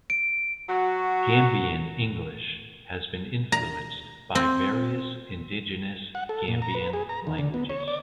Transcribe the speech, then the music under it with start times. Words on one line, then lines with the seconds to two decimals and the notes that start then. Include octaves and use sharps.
Gambian English has been influenced by various indigenous Gambian languages.
0.10 D7
0.68 F#3 F#4
3.52 A#5
4.35 C4
6.15 F#5
6.29 A4
6.48 A#2
6.62 A#5
6.75 B4
6.93 G#4
7.09 A#5
7.27 D#3
7.38 D3
7.54 B3
7.70 C#5
7.88 D5